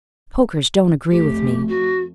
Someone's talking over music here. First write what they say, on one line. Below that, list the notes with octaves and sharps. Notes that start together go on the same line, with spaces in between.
Pokers don't agree with me.
F2 A3 G4
F#4